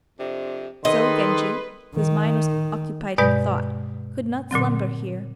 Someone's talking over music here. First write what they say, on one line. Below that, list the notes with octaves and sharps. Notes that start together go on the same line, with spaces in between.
So Genji, whose mind was occupied in thought, could not slumber here.
F2 C3 D4
D#3 G#4 A4 B4 D#5 C6
D#3
G2 B2 G#3 B4 D5 G6
A#2 D3 F#3 C4